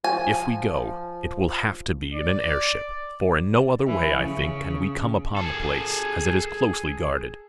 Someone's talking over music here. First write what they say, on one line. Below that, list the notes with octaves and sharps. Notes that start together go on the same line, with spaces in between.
If we go, it will have to be in an airship, for in no other way, I think, can we come upon the place, as it is closely guarded.
F3 G#5
D5
E3
C#3
G#4 A4